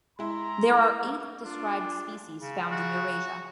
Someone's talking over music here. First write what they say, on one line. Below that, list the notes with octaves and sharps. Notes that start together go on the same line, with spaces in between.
There are eight described species found in Eurasia.
G#3 E4 A#5 C6
D4 F4
C#3
F#4